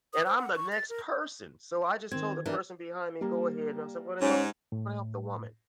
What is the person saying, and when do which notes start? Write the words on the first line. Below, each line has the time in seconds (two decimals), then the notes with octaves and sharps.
and I'm the next person so I just told the person behind me go ahead no, so I'm gonna help I'm gonna help the woman.
0.14 D#6
0.26 C5
0.38 F#5
0.56 C#6
0.72 A6
0.89 A#4
2.12 D#3 C4 G#6
2.46 E3 D4 A#4 D5
3.21 G3 A#3
4.21 G#2 C#4
4.72 A2